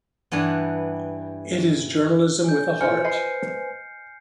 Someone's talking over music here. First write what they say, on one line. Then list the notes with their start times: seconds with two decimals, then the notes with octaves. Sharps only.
It is journalism with a heart.
0.32 G2 E3 G3 B3
2.44 G#5 G6
2.81 B1 E3 F3 B4 C5 G#5 F6 C#7
3.05 D#5 B5 C7